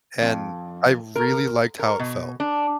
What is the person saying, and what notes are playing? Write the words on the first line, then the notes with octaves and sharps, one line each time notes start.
and I really liked how it felt.
F2
A#4
A#4
B2
D4